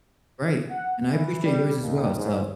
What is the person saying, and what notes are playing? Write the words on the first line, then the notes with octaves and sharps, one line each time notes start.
Right, and I appreciate yours as well, so,
F#5
E3
G3
D#2
G#2